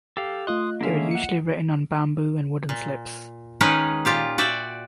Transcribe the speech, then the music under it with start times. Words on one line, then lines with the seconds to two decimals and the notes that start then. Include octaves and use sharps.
They were usually written on bamboo and wooden slips.
0.17 G4 A4 F5
0.47 A3 F4 D#5 C6 D#6 F#6
0.81 D3 G#3 A#3 C#4 E5 F5
1.11 F#5 C#7
2.69 A#2
3.61 D#3 G#3 C#4 D#4 A#4 B4
4.05 A#2 F4 G4 F5
4.38 F#4 D5 E5 G5